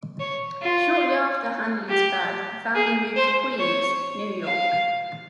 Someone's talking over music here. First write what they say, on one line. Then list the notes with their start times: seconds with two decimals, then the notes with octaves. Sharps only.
Shortly after Hanley's birth the family moved to Queens, New York.
0.20 C#5
0.62 F4
1.89 G4
2.75 G#4
3.16 C5
3.59 C#5
4.43 F5